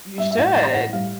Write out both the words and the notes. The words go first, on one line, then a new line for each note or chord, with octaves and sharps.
You should.
G3 E5
E5
A2 F5
E3 F#5
A2 F#5
G3 F5